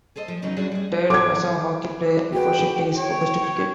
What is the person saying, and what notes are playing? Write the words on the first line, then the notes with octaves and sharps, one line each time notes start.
Taylor was a hockey player before shifting his focus to cricket.
G#4 A4 C5 D#5
F3
C#3 E3 F#3 A#3 D#4
F#2 F#3 D4 F#4 G#4
G3 G#4
A4 F#5 D6 G#6
F#4 G#4 B4 G5
C#5 G5